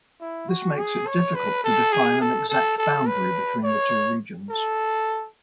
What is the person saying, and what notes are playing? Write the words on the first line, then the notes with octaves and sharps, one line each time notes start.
This makes it difficult to define an exact boundary between the two regions.
E4
F#4
G#4
C#5
B4
A4
G#4
A4
A4
A4
B4
C#5
A4